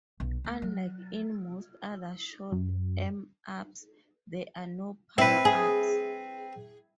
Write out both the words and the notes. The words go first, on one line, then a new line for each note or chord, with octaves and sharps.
Unlike in most other shoot 'em ups, there are no power-ups.
B1
D2
F#3
F#2
C4 E4 B4
G#4